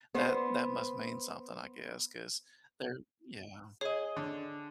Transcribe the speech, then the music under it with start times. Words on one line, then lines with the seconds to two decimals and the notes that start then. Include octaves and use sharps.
that that must mean something, I guess, 'cause they're Yeah.
0.15 B3 C5
3.81 G#4 C#5 D#5
4.16 D3